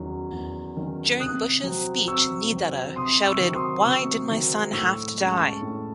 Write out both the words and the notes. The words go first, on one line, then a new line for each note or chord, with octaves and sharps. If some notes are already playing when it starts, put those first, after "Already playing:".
During Bush's speech, Niederer shouted Why did my son have to die?
Already playing: E2 D#3 F#3 C#4
E2
D#3 F#3 C#4
C3 D#6 F#6
F#3 C4
C3 C#6 E6
F#3 C4
C3 C6 D#6
C#6 E6
D#3 F#3 C4
C6 D#6
C3 C#6 E6
D#3 F#3 C4
A2 C#6 E6
G#3 C#4
A5 C#6
A2